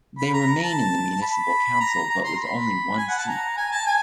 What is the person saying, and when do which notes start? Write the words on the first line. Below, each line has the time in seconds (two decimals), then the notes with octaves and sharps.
They remain in the municipal council but with only one seat.
0.18 B5
0.33 A#5
0.63 A5
1.21 B5
1.80 A#5
2.10 A#5
2.24 C6
2.39 B5
2.98 G#5
3.08 F#5
3.17 A5
3.28 A#5
3.57 G#5
3.71 A5
3.86 G#5